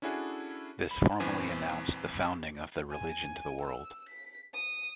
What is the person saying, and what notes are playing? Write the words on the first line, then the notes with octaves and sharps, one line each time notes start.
This formally announced the founding of the religion to the world.
C#4 D4 E4 F#4 G#4 A4
B5
E2 G2 A#2 E3 C4 G#5
G#5
E6
B6
D#6